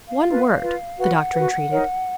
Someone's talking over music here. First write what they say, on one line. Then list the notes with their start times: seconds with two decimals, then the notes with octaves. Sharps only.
"One word," the Doctor entreated.
0.09 F5
0.26 F4
0.31 B4
0.62 F4 B4
0.98 F#4 B4 F#5
1.34 F#4 B4
1.71 D#4 A#4 C#5